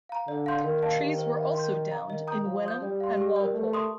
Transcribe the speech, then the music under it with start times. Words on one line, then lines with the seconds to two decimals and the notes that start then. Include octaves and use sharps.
Trees were also downed in Wenham and Walpole.
0.09 F5 A#5
0.28 D3 D5
0.46 F5 C6 G6
0.64 D#3 A#4
0.82 D5 F5 A5
1.00 D#3 G4
1.18 C5 G5
1.37 F5
1.55 C6 G6
1.73 D5
1.91 F5 A#5
2.09 D#3 D#5
2.27 G5 A#5 D#6 G6
2.45 F3 F5
2.64 C6 D#6 G6
2.81 G3 D5
3.00 F5 C6
3.18 G4
3.36 A#4 D5
3.54 A3 D5
3.72 A5 C6 D#6